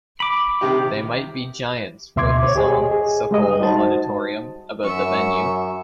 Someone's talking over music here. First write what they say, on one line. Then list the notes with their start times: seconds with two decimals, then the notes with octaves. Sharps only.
They Might Be Giants wrote the song, "Sokol Auditorium," about the venue.
0.20 B5 D6
0.61 C3 D#3 G4
2.16 D2 B2 E5 C6 D6 G#6
2.43 C5 C#5
2.56 G4 G#4 D#5
2.92 G#4
3.31 G3 G#3 D#5 D#6
3.61 D#4 F#4 C5 A5
4.84 F#2 E5 C#6